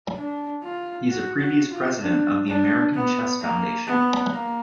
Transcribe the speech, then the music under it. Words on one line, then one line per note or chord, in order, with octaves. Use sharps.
He is a previous President of the American Chess Foundation.
D4
F4
F#4
F#4
F4
D4
D4
B3
A#3
B3
A#3